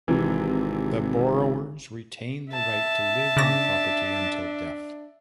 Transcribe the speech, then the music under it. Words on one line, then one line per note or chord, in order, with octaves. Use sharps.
The borrowers retain the right to live in the property until death.
G#1 C3 E3
E5 A5
C#3 D4 D5 A#6